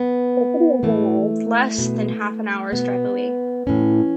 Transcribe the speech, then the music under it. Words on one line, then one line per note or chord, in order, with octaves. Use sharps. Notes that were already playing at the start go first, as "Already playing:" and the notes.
The City of Bangor is less than half an hour's drive away.
Already playing: B3
A2 E3 A3
B2
B2 B3
A2 E3 C#4